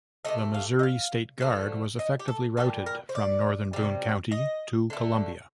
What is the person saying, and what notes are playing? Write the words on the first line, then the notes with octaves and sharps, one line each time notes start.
The Missouri State Guard was effectively routed from northern Boone county to Columbia.
C3 F3 A3 D#5
F5
D#5
F5
D3 F3 A3
D#5
G4
A4
A#2 G3 A4
A#4
C5
D5
C3 G3
D#5
D3 A3